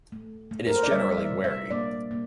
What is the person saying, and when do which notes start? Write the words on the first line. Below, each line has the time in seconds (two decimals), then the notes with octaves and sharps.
It is generally wary.
0.12 A3
0.51 A3
0.67 A#4
0.76 C5
0.83 D5
0.91 G3 E5
1.17 E5
1.31 C3
1.44 E5
1.70 A#3 D5
2.11 A#3